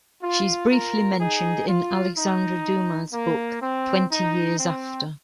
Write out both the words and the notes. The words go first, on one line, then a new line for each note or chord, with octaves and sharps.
She is briefly mentioned in Alexandre Dumas' book "Twenty Years After".
F4
F4 A#4
D#4 G#4
F4
D#4
A#3
C4
D#4
C4